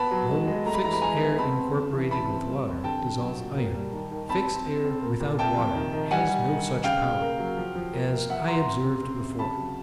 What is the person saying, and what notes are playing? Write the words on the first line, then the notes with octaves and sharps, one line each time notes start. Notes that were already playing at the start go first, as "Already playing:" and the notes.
Though fixed air incorporated with water dissolves iron, fixed air without water has no such power, as I observed before.
Already playing: B3 A5 B5
F#3
G#3
G#3
A3 A#5
B5
E3 A#5
B5
G#3 G#5 A#5
B3
C4 A5 B5
C4
C#3
E3
C4 A5 B5
C4
G3
C4
D3 G5 A5
D3
F#3
A#2
A#3
G3
D#3
D#3
C4 A5 B5
C4
C4
C4
A#3
A#2
C3 G5 A5
F3
D#3
D#3
G3 F#5 G#5
G3
D#3
D#3
C#3 F5 G5
C#3
A#3
F#3
F3
F3
A#3
A#3
F3 E5 F#5
F3 A#5 C6
C4
C#3
C4
C3
C#3 A5 B5
F#3